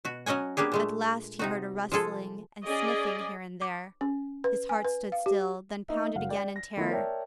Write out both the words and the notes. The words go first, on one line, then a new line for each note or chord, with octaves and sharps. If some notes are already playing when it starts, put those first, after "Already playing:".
At last he heard a rustling and sniffing here and there. His heart stood still, then pounded again in terror.
B2 F#4
F#3 C#4 D#5 F#5 G#5
A#3 B3 D4 G4 G#4
A#2 G#3 A3
C3 D#4 F#4
F3 G#3 G#4 A4
C#4 G#4 D5 D#5
D6
C#4
B4
G#5
B4
F5
G4
A#3 D#4 D#5 E5
F#1 F#3 F5 F#5
D5 G5
A#6
D#3 A3 B3 E4 F4 D#5
A#4 C#5 D5 E5 G5 A5